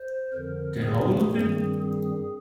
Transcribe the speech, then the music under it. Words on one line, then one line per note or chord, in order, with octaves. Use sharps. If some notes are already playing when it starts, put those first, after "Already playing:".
The whole of it?.
Already playing: C5
F2 D3 F3 A#4
G#4
G2 D#3 G3 C4
G#4